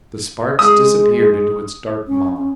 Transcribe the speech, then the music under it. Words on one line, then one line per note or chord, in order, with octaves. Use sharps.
The sparks disappeared into its dark maw.
G#3 D#6
C#4
C#4